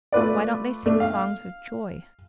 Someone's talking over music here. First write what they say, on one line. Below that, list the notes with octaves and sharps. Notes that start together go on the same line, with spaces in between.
Why don't they sing songs of joy?
A3 F4 B4 D5
A3 D4
F5